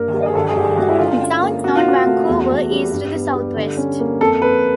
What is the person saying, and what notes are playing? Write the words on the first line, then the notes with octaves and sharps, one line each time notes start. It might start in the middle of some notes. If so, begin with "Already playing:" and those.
Downtown Vancouver is to the southwest.
Already playing: G2 A#3 A#4
G3
G#4
G2 A4
G#4
G2 G4
G#3 F#4
E4
D3 F4
C#4
A#3
C3 F#4
F4
C4 F#4
A3
E2
E2
G3
G2
B3
G3
D3
C#4
A#3
F2 A4
F2 B4